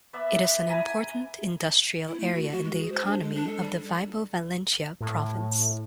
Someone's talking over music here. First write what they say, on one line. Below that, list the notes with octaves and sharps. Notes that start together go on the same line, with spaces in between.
It is an important industrial area in the economy of the Vibo Valentia province.
B3 D5 E5
B4
E4 G#5 A#5
E4
A3
F#4
F#4
G#3
G#4
C5
D4
G#3
D4
A4
G3
A2